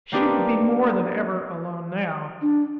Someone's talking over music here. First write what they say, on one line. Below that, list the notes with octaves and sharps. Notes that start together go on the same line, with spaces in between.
She would be more than ever alone now.
A#3 C4 D4 D#4 G4 B4
D4